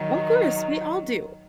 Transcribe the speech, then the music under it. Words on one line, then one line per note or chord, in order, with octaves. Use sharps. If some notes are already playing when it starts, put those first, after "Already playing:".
O of course, we all do.
Already playing: D#3 F#3